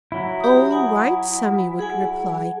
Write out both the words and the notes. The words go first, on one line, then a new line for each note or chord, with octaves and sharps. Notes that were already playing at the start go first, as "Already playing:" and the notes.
"All right," Sammy would reply.
F#3 E4
G4 D#6
F#5 G#5 D#6
G#4 F#5 G#5